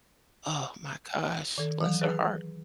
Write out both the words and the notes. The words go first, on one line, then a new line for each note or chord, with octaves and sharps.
Oh, my gosh, bless her heart.
D#3 A4
E3 F#3
G#4 B4